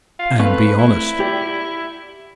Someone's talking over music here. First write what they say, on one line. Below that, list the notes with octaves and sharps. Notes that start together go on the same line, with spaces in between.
Man, be honest.
F4
A3 C4 B4 F5
E4
G4 D5